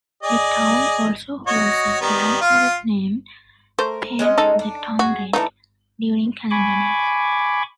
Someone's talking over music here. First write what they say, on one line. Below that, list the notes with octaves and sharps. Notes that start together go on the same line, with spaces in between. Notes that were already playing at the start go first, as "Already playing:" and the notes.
The town alsoholds a grand parade named "Paint the Town Red" during Canada Day.
G#4 D5 D#5
F#4 C#5 D#5
D#3 G3 B3
F4 F5
A3 A#4 C5
G#3 C#4 D#5
D#4 A4
D4
F#4 G#4
E3 A3 D4 D#4
G#5 B5 C#6 D6